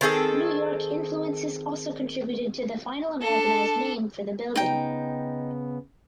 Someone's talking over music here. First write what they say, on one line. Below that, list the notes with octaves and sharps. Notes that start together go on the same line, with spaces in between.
New York influences also contributed to the final Americanised name for the building.
D#3 C4 G#4 A4
D4 A4
C#3 B3 D#4 G5